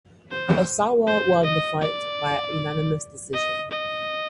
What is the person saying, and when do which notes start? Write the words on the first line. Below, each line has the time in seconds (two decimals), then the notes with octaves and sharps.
Osawa won the fight by unanimous decision.
0.31 C5
1.07 C5
1.43 D#5
1.81 D5
3.33 D#5
3.71 D#5